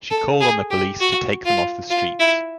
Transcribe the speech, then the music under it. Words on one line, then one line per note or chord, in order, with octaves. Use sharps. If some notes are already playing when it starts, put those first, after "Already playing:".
She called on the police to take them off the streets.
A4
G#4
G4
F#4
F4
F4
E4